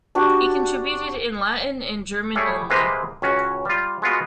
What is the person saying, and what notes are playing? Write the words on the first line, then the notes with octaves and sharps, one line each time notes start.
He contributed in Latin and German only.
D4 F#4 G4
G3 A3 E4 G#4 C#5
C3 G#3 A#3 C4 G4 B4
C#2 C#4 F#4
G3 F4
G#3 B3 F4 F#4